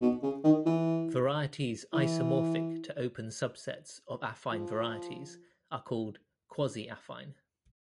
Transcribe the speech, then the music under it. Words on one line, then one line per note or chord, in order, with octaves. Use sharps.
Varieties isomorphic to open subsets of affine varieties are called quasi-affine.
B2
C#3
D#3
E3
E3
F3